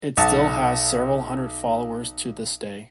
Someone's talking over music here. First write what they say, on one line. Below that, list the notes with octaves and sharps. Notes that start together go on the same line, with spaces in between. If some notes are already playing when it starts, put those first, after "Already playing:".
It still has several hundred followers to this day.
B1 F#5 A5